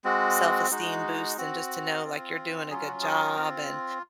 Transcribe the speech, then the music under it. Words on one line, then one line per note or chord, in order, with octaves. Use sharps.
self-esteem boost and just to know, like, you're doing a good job and
G#3 C4 F#4
G#3 D#4 F#4
C4 F#4
C4 F4
F#3 C#4 F4 G#4
F#4
G#4
A#4
C4 F4